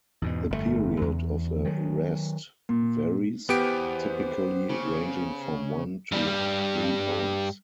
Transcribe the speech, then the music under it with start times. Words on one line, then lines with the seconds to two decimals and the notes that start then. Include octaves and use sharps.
The period of a "rest" varies, typically ranging from one to three hours.
0.22 E2 G#2 B2
0.50 G1 F2 C3 A3
1.02 E2
1.65 D#3 F#3
2.69 A#2
3.49 E2 B3 G4 C5 D7
4.69 C#3
6.12 G2 G3